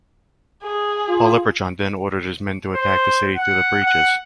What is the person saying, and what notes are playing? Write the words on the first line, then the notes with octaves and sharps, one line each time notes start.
Polyperchon then ordered his men to attack the city through the breaches.
G#4
F4
C5
F#5
F#5